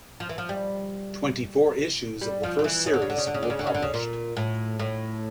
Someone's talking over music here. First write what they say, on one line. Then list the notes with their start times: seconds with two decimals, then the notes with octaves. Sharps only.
Twenty-four issues of the first series were published.
0.20 F3
0.29 E3
0.38 F3
0.49 G3
2.21 G3
2.43 F3
2.59 D3
2.64 E3
2.86 C#3
2.93 D3
3.02 C#3
3.10 D3
3.18 C#3
3.27 D3
3.34 C#3
3.43 D3
3.50 C#3
3.59 D3
3.67 C#3
3.74 D3
3.83 C#3
3.94 A#2
4.37 A2
4.80 A2